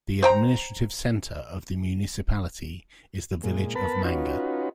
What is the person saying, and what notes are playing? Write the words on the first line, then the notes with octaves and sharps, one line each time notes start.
The administrative centre of the municipality is the village of Manger.
C5 G5 A#5
A#2 G#3
B3 A#4 B4 A5 B5
C#4 D#4 F4 F#4 B4